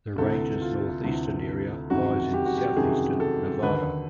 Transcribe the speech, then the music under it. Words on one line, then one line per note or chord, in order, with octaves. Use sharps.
The range's northeastern area lies in southeastern Nevada.
D2 C3 E3 A4
F4
D2 C3 E3
F#1 F2 C3 D#3 F#4
G4
F#4
G4
F#1 F2 C3 D#3 G#4
A4
D#2 D3 B4